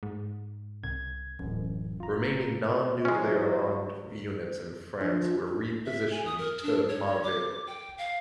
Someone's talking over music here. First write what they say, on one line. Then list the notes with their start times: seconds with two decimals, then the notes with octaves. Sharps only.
Remaining non-nuclear armed units in France were re-positioned to Marville.
0.03 G#2
0.84 C2 G#6
1.39 D1 A1 F#2
2.00 F4 A#5
3.05 C3 E3 F#3 G#3 C#4
5.01 F3 D4
5.86 E5
6.11 G#5
6.25 D#6
6.38 A#4
6.63 D4
6.89 C#5
7.23 D6
7.67 G5
7.98 F5